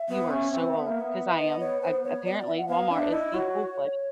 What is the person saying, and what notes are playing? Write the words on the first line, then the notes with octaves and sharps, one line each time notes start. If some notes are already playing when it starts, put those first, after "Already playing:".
you are so old," 'cause I am. A Apparently, Walmart is the cool place.
Already playing: E5
B3
C#4
C4
B3
A#3
B3
D#5
C#5
C5
C#5
D5
E5
F#5
B3 F5
D4 E5
E4 D#5
F#4 C#5